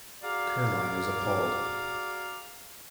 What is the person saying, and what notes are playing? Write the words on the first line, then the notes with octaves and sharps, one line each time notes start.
Caroline was appalled.
F#4 G#4 D5 F5 A#5 D6